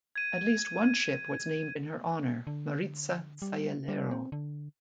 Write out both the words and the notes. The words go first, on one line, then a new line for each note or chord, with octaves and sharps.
At least one ship was named in her honour, "Maritza Sayalero".
G#6 D#7
D3
G3
G3
C4
D3